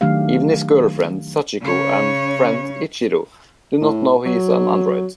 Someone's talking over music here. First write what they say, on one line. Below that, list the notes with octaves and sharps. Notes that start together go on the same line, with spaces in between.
Even his girlfriend Sachiko and friend Ichiro do not know he is an android.
D#3 F#3 A3 D4 G4 F5
C#3 C#5
A2
F#3